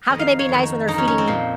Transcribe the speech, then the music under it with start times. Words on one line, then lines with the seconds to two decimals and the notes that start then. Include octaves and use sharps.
How can they be nice when they're feeding me
0.10 F2 D#3 D#5
0.19 F5
0.39 C#5
0.49 F2 D#3
0.88 F2 D#4
0.94 D#3 C#4
1.08 C#4
1.18 C4
1.28 A#2 F3